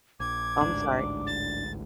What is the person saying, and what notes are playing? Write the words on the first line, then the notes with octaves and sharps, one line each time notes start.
Oh, I'm sorry.
A#1 D6 G#6
A1 D2 G#2 D4
A6